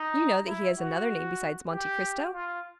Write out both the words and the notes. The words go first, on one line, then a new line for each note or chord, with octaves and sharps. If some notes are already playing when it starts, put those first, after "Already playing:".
"You know that he has another name besides Monte Cristo?"
Already playing: D#4
E4
F#4
G4
F4